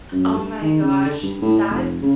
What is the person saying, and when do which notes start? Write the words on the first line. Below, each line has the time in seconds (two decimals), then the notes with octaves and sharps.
Oh my gosh, that's
0.12 F#2
0.34 G2
0.62 D#3
0.82 C#3
1.05 D3
1.23 G2
1.42 A2
1.70 F1
2.02 C#3